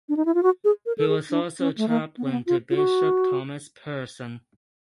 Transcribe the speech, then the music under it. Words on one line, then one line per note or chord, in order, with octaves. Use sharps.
He was also Chaplain to Bishop Thomas Pearson.
D4
D#4
E4
F4
F#4
G#4
A#4
A4
G#4
D4
C#4
A3
A#3
B3
C4
B3
F4
F4
F#4